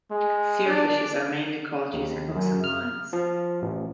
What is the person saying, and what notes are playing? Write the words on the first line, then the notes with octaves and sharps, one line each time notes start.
Seerfishes are mainly caught using hooks and lines.
G#3
D4 D5
D#2
F#2
F6
F3
A1